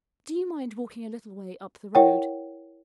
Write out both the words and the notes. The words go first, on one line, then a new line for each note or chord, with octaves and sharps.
Do you mind walking a little way up the road?
E4 A#4 C#5 F#5 G5